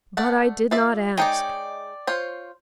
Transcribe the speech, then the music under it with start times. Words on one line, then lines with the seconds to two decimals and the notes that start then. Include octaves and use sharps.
'But I did not ask.
0.17 A3 D5 F#5
0.71 F4 D5 E5
1.17 G#3 D#4 C#5 D5 G5
2.07 F4 C5 C#5